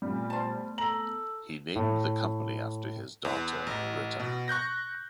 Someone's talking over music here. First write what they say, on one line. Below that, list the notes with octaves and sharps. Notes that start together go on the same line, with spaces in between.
He named the company after his daughter Brita.
A#2 G3 A3 B3
C5 A5
A4 A#5 F#7
A2
E2
A1
B2
C#6 F#6 G6 A#6